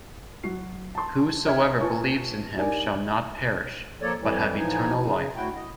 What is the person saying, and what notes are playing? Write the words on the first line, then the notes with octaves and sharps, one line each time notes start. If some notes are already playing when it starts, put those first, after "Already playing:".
Whosoever believes in him shall not perish, but have eternal life.
F#3 F#4 C7
A5 C6
C#5 D#5 E5 F6 G#6
F4 B4 G#5 A5 C#6
D#4 G4 A#4 D5 G#5
F3 A#3 A4 C#5 D5
F2 E3 G3
A2 E3 F3 D#4 G#5
C#3
D2 E4 F#4 G5
D#5